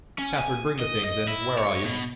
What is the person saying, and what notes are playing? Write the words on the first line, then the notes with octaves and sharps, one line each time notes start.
Catherine! bring the things in: where are you?'
C#4
G#5
D#5
D#5
E4
C#5
B2